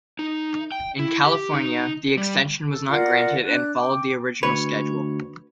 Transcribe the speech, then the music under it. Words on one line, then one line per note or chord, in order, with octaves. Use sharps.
In California, the extension was not granted and followed the original schedule.
D#4
G5
E4
G4
D#4
G3
A4
F4 A#4 D5 F#5
D4 F#6
G5 D6
D2 B4 C#5